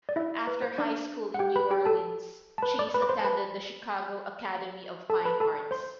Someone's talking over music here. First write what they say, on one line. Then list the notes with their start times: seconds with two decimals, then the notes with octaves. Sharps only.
After high school in New Orleans, Chase attended the Chicago Academy of Fine Arts.
0.09 D5
0.16 E4 E5
0.47 B4
0.62 C5
0.78 D4 D5
1.34 F#5
1.39 G4 G5
1.56 B4 B5
1.71 G4 G5
1.85 A4 A5
2.58 A5
2.62 B4 B5
2.79 D5 D6
2.94 B4 B5
3.02 D6
3.09 C5 C6
3.19 A5
3.24 B4 B5
5.10 A4 A5
5.20 A5
5.25 B4 B5
5.40 A4 A5
5.71 C5 C6